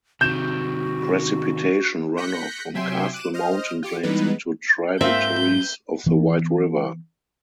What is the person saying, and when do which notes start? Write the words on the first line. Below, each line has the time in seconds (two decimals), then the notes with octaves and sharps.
Precipitation runoff from Castle Mountain drains into tributaries of the White River.
0.21 C3 D#3 F#4 G6 E7
2.17 F#6 G6 A#6 B6 C#7
2.74 C3 F#3 E5 G5 G#5 C6
3.13 D6 F#6 D#7 E7
3.34 C5 D#5 F6
3.83 F4 G4 D6 C#7
4.03 E3 G3 G#3 B3 D#4 B4
5.01 G#2 A#3 C4 F4 E5 G6
6.06 E3 B3 C4